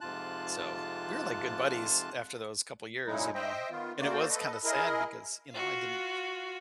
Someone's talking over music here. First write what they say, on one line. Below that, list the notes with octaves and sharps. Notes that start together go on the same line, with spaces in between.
So, we were like good buddies after those couple years, you know, and it was kinda sad because, you know, I didn't
F2 G#2 C3 F4 A5 F#6
F#2 A#2 F#3 G#3 D#4 E4
C5 D#5 E5 G5
D#3 B3 F4
A3 A#3 F#4 C5 D5
A4 B4 D#5
E4 G#4 A#4 D#5
F4 F#4